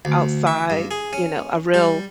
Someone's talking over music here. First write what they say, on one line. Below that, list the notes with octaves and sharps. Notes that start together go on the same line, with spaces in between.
outside, you know, a real
D2
E5
G2
G#4
C#4
G3